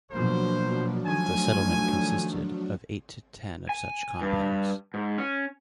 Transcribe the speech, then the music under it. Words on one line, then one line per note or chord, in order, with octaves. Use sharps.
The settlement consisted of eight to ten of such compounds.
B2 F3 F#3 A#3 D4 C5
D#3 F3 A3 G#5
G#5
G2
G#2
C#4